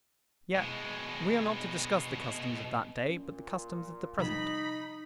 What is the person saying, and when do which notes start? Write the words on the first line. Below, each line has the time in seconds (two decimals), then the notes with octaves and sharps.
Yet we are not to discuss the customs of that day, but the customs of the present.
0.55 B2 G#3
3.09 A#2 C#4
4.19 C3 F3 G3 D#4 B5